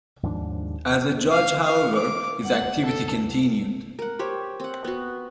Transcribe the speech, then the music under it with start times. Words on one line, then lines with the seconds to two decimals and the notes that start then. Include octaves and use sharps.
As a judge, however, his activity continued.
0.23 D#2 G#2 F3 D4
1.31 F5
1.64 F5
1.95 D6
2.44 F#5
2.84 A4
3.99 A#4 F#5
4.19 G4 C5 C#5
4.60 C4 F#5
4.85 B3 F#4